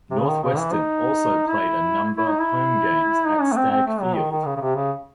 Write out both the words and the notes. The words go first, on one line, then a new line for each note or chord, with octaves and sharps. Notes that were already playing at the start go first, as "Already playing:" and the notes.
Northwestern also played a number home games at Stagg Field.
C3
C#3
D#3
C#3
E3
D#4
E4
E4
D#4
E4
D#4
C#4
A3
C4
C4
A3
F#3
D#3
D#3
C#3
C#3
C3
C#3